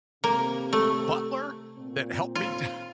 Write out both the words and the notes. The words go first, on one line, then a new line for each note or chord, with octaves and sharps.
butler that helped me down
C3 A#3
A3
A#2 C4
F4